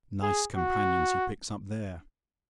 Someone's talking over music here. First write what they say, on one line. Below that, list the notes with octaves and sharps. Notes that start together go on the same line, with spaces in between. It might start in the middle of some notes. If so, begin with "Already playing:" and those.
Nice companions he picks up there!
G#4
F#4